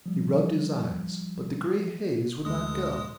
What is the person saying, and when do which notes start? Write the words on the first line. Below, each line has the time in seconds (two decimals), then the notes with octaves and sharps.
He rubbed his eyes, but the gray haze would not go.
0.06 F3 G3
2.45 D2 G#3 D#6